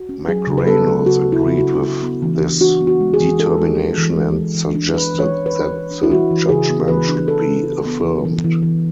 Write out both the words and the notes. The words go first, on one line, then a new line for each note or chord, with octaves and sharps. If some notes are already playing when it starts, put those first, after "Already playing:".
McReynolds agreed with this determination and suggested that the judgment should be affirmed.
Already playing: F#4
C#4
F#3 G#4
C#3
B4
B3 A4
F#3
C#3 F#4
F#3
E4
C#3
F#4
D4
B3
B3
E3
D4
D4 F#4
B3
F#4
G#3
G#4
E3
D4 A4
G#3
D4
E3
G#3
E3
E3
D4
E3 B4
E3
C#5
E3
B4
E3
E3
D4
E4
E3 F#4
E3
C#3 G#4
B3
E3 B4
D4
E3 A4
C#3
B3
B3
E3
E3
E3
E3